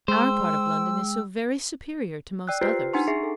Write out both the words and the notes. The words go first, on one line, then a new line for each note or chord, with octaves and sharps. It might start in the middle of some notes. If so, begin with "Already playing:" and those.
Our part of London is so very superior to most others.
G#3 C5 G5 E6
D5 G5 E6 F#6
F4 G4 B4 C5 C6 C7
C7
D4 D#4 F#5 G#5 A#5 C6
G#4 E5 C7
A4